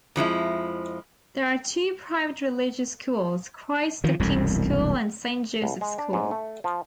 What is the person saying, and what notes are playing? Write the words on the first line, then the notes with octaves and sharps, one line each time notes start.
There are two private religious schools: Christ the King School and Saint Joseph School.
F2 F3 G#3 E4
D#3 F3
E1 C2 F#2
C2
G#3
D4
G#2
A3
F3